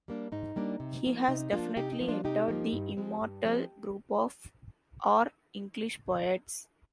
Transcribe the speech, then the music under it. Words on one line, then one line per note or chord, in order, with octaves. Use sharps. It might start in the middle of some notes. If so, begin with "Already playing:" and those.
He has definitely entered the immortal group of our English poets.
G3 A#3 D4
G#2 D#4
G3 A#3 D4
C3
F3 A#3
C3 D#4
F3 A#3 D4 F4
C3 D#4 G4
D#4
F3 A#3
D4 F4
C3 D#4 G4
F3 A#3
G2
F3 G#3 C4
G2
F3 G#3 C4